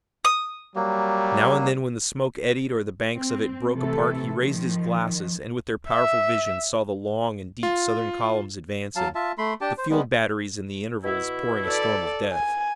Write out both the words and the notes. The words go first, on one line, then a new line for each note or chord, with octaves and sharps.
Now and then when the smoke eddied or the banks of it broke apart he raised his glasses and with their powerful vision saw the long and deep Southern columns advancing, the field batteries in the intervals pouring a storm of death.
D#6
F#3 G3 A#3
C4
C3 E3 A3 A4
D#3 F3
E5
F4
F#3 F5 A5
F4 E5 A5
A3 B5 C6
D4 G4 G5 A5
C5
G3 G#3 B3
B2 E4
A4 D5
G#5